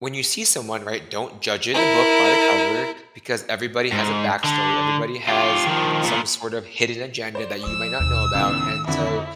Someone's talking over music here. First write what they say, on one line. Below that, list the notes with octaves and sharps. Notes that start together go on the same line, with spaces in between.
when you see someone, right, don't judge it- the book by the cover- because everybody has a backstory. Everybody has some sort of hidden agenda that you might not know about. And so,
E4 A#4
G#2
D3
F4 G4
D#3 F3
A#2 B3
C5 D5
F3 E6
D#2 B2
C#2 A2 D#3 B3
F2 D3 E4